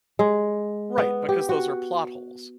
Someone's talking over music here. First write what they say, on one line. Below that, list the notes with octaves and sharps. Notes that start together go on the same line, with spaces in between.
Right, because those are plot holes.
G#3
B3
G4
F#4